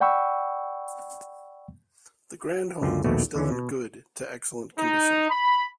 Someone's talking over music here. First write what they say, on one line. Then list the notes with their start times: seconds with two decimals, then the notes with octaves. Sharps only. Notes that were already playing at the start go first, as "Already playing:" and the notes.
The grand homes are still in good to excellent condition.
0.01 D5 F#5 G5 B5 C#6 E6
2.81 C#2 F#2 D3 F4 G5
3.04 A#1 D#2 B2 A3 F#4
3.34 D#2 D3 E3 C#4
3.52 B2
4.79 D#4
5.30 B5